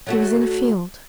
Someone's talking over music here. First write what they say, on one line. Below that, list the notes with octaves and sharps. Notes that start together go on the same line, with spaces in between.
He was in a field.
F#3 A3 F#4